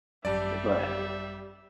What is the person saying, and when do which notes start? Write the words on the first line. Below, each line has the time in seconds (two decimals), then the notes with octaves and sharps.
D but
0.25 G#1 F#2 G3 D5 E5 A5